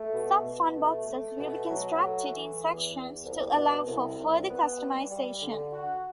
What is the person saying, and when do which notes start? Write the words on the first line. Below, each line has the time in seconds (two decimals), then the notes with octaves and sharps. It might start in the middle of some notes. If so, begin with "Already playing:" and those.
Some funboxes will be constructed in sections to allow for further customization.
Already playing: A3
0.13 B2
0.44 B2
0.76 A3
1.06 A3
1.38 B2
1.69 F#3
1.99 A3
2.31 E3
2.61 E2
2.92 E2
3.24 C2
3.55 B2
3.86 C2
4.18 C2
4.48 B3
4.79 G3
5.10 G3
5.42 D3
5.72 F#4